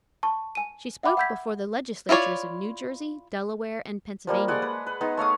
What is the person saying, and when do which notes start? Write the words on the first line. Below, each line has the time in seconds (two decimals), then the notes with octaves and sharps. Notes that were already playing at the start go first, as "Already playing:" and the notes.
She spoke before the legislatures of New Jersey, Delaware, and Pennsylvania.
0.23 A5 C#6
0.55 G#5 D#7
1.03 E5 F#5 G5 B5 D6
1.17 F#5 B5 E6 G6 G#6 B6
2.09 E4 F4 A4 C#5 D5
4.27 F3 G3 A#3
4.48 G#3 D5 F#5
4.62 B4
4.87 B4
5.01 G#3 B3 D#4
5.17 A3 C#5 F5 D#6